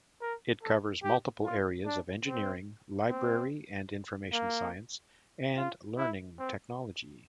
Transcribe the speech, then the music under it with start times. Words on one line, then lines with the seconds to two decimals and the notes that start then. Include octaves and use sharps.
It covers multiple areas of engineering, library and information science, and learning technology.
0.21 A#4
0.63 A4
1.03 G4
1.45 F4
1.86 D4
2.27 C4
3.10 C4
4.32 A#3
5.57 F4
5.97 E4
6.39 C4